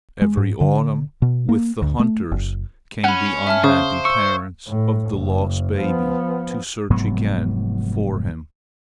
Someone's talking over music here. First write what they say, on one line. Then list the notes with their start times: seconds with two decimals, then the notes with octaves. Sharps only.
Every autumn with the hunters came the unhappy parents of the lost baby to search again for him.
0.22 G#3
0.37 G#2
0.61 D3
1.22 B2
1.49 A#3
1.82 D2
2.00 A3
2.32 F#1
3.04 C#4 F#5 G#5 B5
3.47 E5 A5 F6
3.64 C#3 C5 F5 C#6 D#6
4.05 C#6 E6
4.68 A2
5.11 F#1
5.79 F3 B3
6.90 F1 G#2 F#3 B3